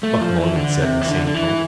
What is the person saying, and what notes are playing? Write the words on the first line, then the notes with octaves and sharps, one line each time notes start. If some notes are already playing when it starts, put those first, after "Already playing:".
Buck Mulligan said in the same tone.
A3
F3
E3
D3
C3
E3
D3
D3
E3